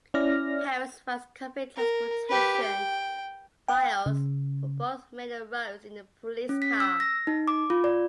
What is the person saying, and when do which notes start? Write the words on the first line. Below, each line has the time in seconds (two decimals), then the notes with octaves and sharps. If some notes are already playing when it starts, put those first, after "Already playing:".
Paris finds convict-transportation files for both Maine and Rhodes in the police car.
0.14 C#4 E4 D5 F6 A#6
1.76 A#4
2.29 G4 B4
2.62 G5
3.68 G5
4.06 C#3
6.49 C#4
6.62 B6
6.80 E6
7.00 A#6
7.27 D#4
7.48 D6
7.70 F4
7.84 D5